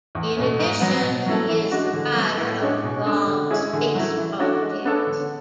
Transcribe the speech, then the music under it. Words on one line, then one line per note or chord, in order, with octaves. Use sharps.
In addition he is the writer of the blog Space Politics.
E2
B2 A3 C#4
G#2
F#3 B3
B2
F#3 C#4 E4 A4
E3
G#3 D4 F#4
D3
F#3 B3
A2
G#3 D4 G#4 C#5
B2
G#3 D4 A4
D3
G#3 C#4 E4 G#4
D3
F#3 A3 E4
E3
A3 D4 F#4 C#5
G#3
B3 D4 A4 C#5
D3